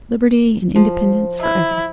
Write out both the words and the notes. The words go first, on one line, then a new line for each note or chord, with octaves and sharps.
Liberty and Independence for Ever!
F3
E4